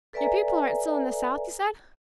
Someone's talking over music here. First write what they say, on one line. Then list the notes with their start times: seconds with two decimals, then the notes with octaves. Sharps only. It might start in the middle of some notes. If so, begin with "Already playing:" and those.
"Your people aren't still in the South, you said?"
0.13 A4 B4 D5 E5 G#5 A#5